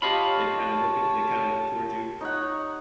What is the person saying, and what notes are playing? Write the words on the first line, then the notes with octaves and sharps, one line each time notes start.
they kinda look at they kinda look towards you
F4 G4 C#5 D#5 F5 A5 B5
D#4 C#5 F#5